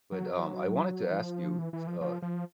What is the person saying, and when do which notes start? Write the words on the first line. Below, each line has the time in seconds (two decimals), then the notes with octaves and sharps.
But, um, I wanted to ask you, s uh,
0.12 F#3
1.11 E3
1.16 F3
1.59 E3
1.73 E3
1.87 F3
2.01 F3
2.22 F3